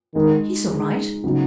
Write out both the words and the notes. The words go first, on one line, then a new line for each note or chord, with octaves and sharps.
He's all right.
D#3 G#3 D#4 G#4
G#3 D#4 G#4
C#3 F#3 B3 D#4 F#4